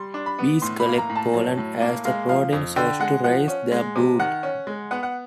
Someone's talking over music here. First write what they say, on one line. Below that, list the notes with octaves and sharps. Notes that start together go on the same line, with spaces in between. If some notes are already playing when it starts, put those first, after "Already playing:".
Bees collect pollen as a protein source to raise their brood.
Already playing: G3 C6
D4
B5
B3
A2 C6
B5
A#3
A#5
A2
A5
F#3
A2
A#3
G#3 F5
F3 F5
F2
D3 G5
G#3 F#5
F3 F#5
C#4
G#3
C3
D#3 F#5
C#4
G#3
B3 F#5
F#5